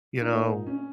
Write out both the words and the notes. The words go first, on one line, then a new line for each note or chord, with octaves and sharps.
you know,
A#2 D#4
C#4